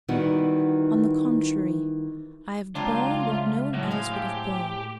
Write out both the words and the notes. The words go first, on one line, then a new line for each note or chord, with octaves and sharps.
On the contrary, I have borne what no one else would have borne.
D#3 E3 G3 B3 D#4 F#4
C#2 F#3 C4 D4 F4 C#5 G5 A#5
E5 F6
A2 F#3
F#3 G#3 C4 F5 G#5
G4